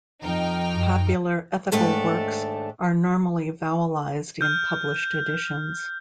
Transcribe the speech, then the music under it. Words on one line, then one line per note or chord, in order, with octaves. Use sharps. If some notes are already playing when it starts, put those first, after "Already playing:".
Popular ethical works are normally vowelized in published editions.
F2 D#4 G5 F6
F#2
D#2 G#2 A3 D4 A4 E5
F6 G6